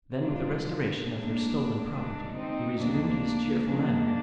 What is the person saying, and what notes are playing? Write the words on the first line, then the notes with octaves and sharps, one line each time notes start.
Then, with the restoration of her stolen property, he resumed his cheerful manner.
G2 F3 G#3 D4 F4
A#2 G#3 A#3 D4
D#2 D#3 G#3 A#3 D4
C4 D#4
D2 C3 F3 G#3 A#3 D4
A#2 F3 G#3 A#3 D4